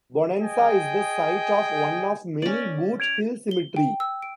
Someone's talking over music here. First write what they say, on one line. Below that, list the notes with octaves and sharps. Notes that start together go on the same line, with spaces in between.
Bonanza is the site of one of many Boot Hill Cemetery.
G#4 D#5 G5 G#5
C#4 D5
G#6 D7 F7
G7
G5
E6
D7